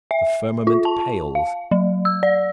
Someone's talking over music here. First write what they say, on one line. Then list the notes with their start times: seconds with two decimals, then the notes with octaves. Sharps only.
The firmament pales.
0.11 E5
0.67 F4
0.85 A5
1.35 F5
1.71 F#3
2.05 E6
2.23 D5